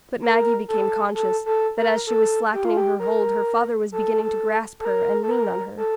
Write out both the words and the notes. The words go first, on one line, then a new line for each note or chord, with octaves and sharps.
But Maggie became conscious that as she was slackening her hold her father was beginning to grasp her and lean on her.
A#4
A4
A4
A4
A#4
A4
G4
F4
G4
A#4
A4
A4
A#4
A4
A#4
A4